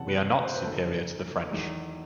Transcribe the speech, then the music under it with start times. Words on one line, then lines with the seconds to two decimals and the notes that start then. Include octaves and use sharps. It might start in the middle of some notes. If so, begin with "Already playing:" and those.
We are not superior to the French.
Already playing: F#1 E2 C3 F#5 A5
0.08 B4
0.36 B4
0.45 C5
0.54 B4
0.65 F#1 F#2 D#3 A4
1.51 E2 D#3 F#3